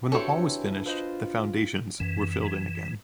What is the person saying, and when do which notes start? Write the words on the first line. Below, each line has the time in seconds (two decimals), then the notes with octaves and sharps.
When the hall was finished, the foundations were filled in again.
0.12 E3 C4 D4 F#4 G4 A4 C#5 E5
0.86 F4 B4 C5 D#5
2.00 F#2 E3 C#4